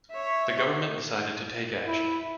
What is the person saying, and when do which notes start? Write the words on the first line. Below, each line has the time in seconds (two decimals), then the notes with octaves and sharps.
The government decided to take action.
0.11 C#5 E5
1.87 E4